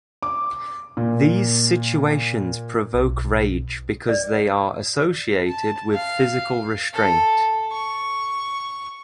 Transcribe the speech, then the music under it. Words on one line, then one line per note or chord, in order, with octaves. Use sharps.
These situations provoke rage because they are associated with physical restraint.
D6
A#2
B1 A#3
D5
A5
F5
A4
C#6